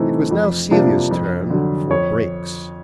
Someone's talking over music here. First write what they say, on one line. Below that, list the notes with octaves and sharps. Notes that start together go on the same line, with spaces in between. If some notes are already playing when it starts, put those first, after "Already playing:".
It was now Celia's turn for "breaks."
Already playing: C3 E3 A3 C4 D#4
F2
C3 F3 A#3 D4
F2
D3 F#3
F2 C#5